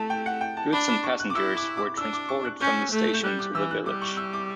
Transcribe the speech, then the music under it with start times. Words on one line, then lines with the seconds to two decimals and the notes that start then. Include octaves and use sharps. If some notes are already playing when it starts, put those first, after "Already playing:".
Goods and passengers were transported from the station to the village.
Already playing: A3 A5
0.10 G5
0.26 F#5
0.41 G5
0.57 A5
0.73 D4 B5
0.88 B5
1.04 C#6
1.20 F#6
1.30 D6
1.35 E4 E6
1.57 D6
1.77 D6
1.97 D4 E6
2.13 D6
2.29 C#6
2.45 F#6
2.60 C#4 G6
2.92 A3
3.14 G6
3.24 G3 F#6
3.39 D6
3.55 E3 E6
3.71 F#6
3.86 G3 D6
4.02 C#6
4.17 E6
4.33 D6